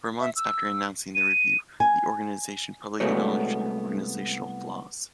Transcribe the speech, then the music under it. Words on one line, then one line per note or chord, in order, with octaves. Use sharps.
Four months after announcing the review, the organization publicly acknowledged organizational flaws.
E5
E6
D#7
G#5
C2 G#3 A3 B3 F#4 C#5